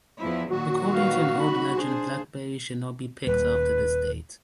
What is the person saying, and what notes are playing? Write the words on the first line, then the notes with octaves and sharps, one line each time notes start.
According to an old legend, blackberries should not be picked after this date.
E2 F3 E4
A#2 D#3 F#3 F#4
B4 F5
D#4 B5
D4 G#4 C5
D#1 B4